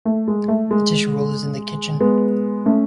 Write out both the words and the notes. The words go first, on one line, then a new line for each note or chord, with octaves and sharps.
The tissue roll is in the kitchen.
A3
G#3
A3
G#3
G#3 B3
A3 C#4